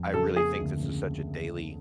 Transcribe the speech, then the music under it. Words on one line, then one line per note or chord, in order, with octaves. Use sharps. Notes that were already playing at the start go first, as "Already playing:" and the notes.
I really think this is such a daily
Already playing: F2
C#3 A4
A#3 G#4
D2
C#3